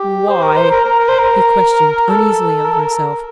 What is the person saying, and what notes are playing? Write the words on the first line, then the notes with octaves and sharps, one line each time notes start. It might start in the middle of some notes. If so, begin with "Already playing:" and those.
"Why?" he questioned uneasily of himself.
Already playing: G4
C5
A#4
C5
A#4
A#4
A#4
C5
A#4
A4
A#4
A4
A#4